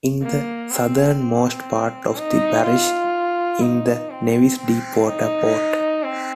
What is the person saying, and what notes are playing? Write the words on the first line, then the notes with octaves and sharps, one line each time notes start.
In the southernmost part of the parish is the Nevis deep-water port.
A#3
C4
C4
D#4
F4
D#4
C4
C4
D#4
C4